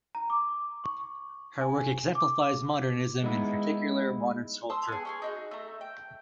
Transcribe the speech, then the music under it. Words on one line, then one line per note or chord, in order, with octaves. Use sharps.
Her work exemplifies Modernism and in particular modern sculpture.
A#5
D6
C#6
G#5
D6
G#3 B3 D#4 E4
A5 C6 D#6 E6
B3 G#4
C#4 F#4 G#4
D#4 E4 F#4
A3 E5 A#5
G5